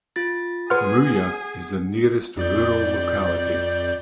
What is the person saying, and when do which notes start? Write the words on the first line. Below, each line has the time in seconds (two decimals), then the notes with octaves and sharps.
Muya is the nearest rural locality.
0.16 F4 A6
0.70 G#4 B4 F#5 C6 F6
2.37 F2 D5 G6